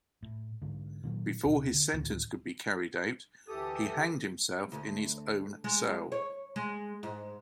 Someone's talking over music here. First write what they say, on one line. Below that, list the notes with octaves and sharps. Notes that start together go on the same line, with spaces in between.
Before his sentence could be carried out, he hanged himself in his own cell.
A2
G#2 D3
A#2 D#3 F#3
D#2 B2
D3
D2 A2 D3 D#3
D2 E3 G4 A4 D#6
D2
G#3
C#5
G#3
G#2